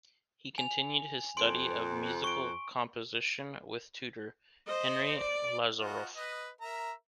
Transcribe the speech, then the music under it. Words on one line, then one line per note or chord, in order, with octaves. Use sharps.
He continued his study of musical composition with tutor Henri Lazarof.
G#5 F7
F2 C6 D7
C#6 D7
C5 D#5
D5
F4 F#4 D#5
B4 D#5
A#4 E5 A#5